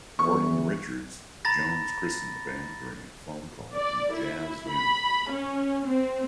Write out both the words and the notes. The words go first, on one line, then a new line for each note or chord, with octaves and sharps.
According to Richards, Jones christened the band during a phone call to "Jazz News".
E2 C#6
A#5 B5 A6 A#6
D5
E4
B5
C#4
C4